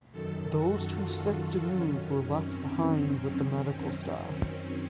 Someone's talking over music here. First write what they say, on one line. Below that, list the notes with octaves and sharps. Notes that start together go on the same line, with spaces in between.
Those too sick to move were left behind with the medical staff.
F#2 D#3 A4
F#4
F4
F#2 D#3 C#4
C4